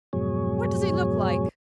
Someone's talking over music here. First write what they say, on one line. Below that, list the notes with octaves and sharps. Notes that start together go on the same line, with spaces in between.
What does he look like?'
F2 G#2 B2 F#3 G#4 C#5